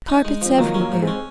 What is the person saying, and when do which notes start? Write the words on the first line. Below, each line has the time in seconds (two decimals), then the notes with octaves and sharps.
Carpets everywhere.
0.08 D#4
0.25 G#3
0.42 F3 C4
0.58 D#3 F#3 A#3
0.74 C#4
0.80 F#3 A#3
0.92 G#2
1.02 G#3 C4
1.07 C#4